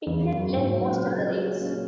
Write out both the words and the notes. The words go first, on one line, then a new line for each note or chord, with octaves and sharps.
Piquet led most of the race.
E2 C#3
C#3
F#2
F#4
G#2 C#3
F#3
A#2
C#4
C#3
C#3
F#4
C#4
C#4